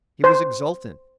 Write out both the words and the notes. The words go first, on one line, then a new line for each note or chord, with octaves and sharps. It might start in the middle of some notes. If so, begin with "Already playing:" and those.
He was exultant.
C5